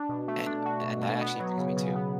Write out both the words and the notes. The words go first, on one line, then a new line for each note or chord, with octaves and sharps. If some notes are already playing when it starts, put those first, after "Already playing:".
and and that actually brings me to
Already playing: D4
B2
A3
D4
F#4
B2
B2
B3
F#3
C#3
C#3
B3